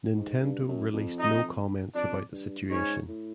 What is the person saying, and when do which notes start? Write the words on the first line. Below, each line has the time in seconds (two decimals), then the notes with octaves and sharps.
Nintendo released no comments about the situation.
0.17 G#2
0.42 G2
0.68 F#2
0.93 F2
1.19 D#4 D#5
1.94 F2 D4 D5
2.32 G2
2.70 G#2 C#4 C#5
3.08 A2